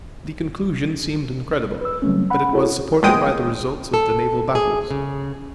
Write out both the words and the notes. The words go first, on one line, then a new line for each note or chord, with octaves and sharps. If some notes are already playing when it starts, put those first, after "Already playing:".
The conclusion seemed incredible, but it was supported by the results of the naval battles.
B4 E6
C#3 F#3 G3 A3 C4 C#4
F#5 B5
E4 F#4 G#4 A4 C#5
A#1 E2 G#3 G5 D#6
A4
G#4
C#3